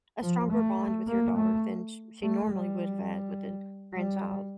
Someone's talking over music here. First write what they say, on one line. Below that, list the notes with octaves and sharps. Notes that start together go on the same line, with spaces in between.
a stronger bond with your daughter than sh she normally would've had with a grandchild.
F3
A3
A#3
A3
A3
G3
G3